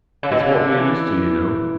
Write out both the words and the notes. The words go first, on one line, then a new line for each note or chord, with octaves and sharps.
It's what you're used to, you know.
C#3
B2
C#3
D3
D3
E3